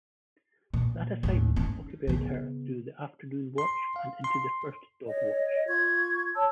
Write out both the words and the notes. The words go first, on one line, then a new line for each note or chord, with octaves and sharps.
That assignment occupied her through the afternoon watch and into the first dog watch.
A#2
D#2 A2
C#4 D#4
C#3 B3
C6
F5
C6
C#5 D#5
F4 C#6 G#6
C#5 A5 E6